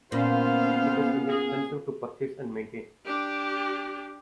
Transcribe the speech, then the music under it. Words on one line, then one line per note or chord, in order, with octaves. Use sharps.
It is inexpensive to purchase and maintain.
A#2 B3 C#4 F4 B4 C5 F5
G#4
D4 G4